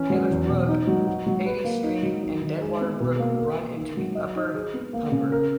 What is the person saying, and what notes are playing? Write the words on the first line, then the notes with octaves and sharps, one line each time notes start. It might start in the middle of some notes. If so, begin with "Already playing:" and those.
Taylor's Brook, Aidies Stream and Dead Water Brook run into the upper Humber.
Already playing: E3 C#4
F#3
E2
B2
D#4
F#3
F#4
F#3
B4
A#3
D#4
F#3
D#4
D#3
G#3
B3
B2
A#3
A#4
A#3
D#4
F#3
D#5
D#4
G#4
B3
A#3
C#3
A#4